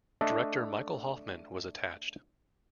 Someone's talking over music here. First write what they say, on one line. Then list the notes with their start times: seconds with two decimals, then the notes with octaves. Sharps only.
Director Michael Hoffman was attached.
0.21 A3 D4 A4 D#5 E5